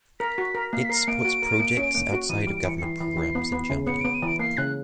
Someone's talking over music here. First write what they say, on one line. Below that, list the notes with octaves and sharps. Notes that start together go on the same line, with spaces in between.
It supports projects outside of government programs in Germany.
A#4 B6
F#4
A#4
A#3 C7
B6
A#4 C7
A#3 D7
F#4
A#4
A#3
C#4
A#3
F#4
E3 D#7
D7
G3
D7
E3 C#7
C#7
E3 C7
E3
E3
B3
B3
C#3
B3 C#7
B3 D7
D#7
E3 D7
A#3 C7
C#3 F#6